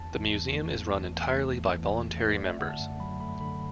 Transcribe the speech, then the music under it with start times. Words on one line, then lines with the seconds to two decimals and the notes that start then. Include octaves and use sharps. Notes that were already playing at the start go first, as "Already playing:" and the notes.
The museum is run entirely by voluntary members.
Already playing: E2 A5
0.14 E3
0.34 E2
0.54 A3
0.75 E2
0.96 E3
1.16 E2
1.37 A3
1.57 E2
1.77 E3
1.98 E2
2.19 A3
2.27 B4
2.38 A3 D5
2.48 E5
2.59 D3 F#5
2.69 A5
2.80 F#2
3.00 F#3 B5
3.20 A3 B5
3.41 D3 B5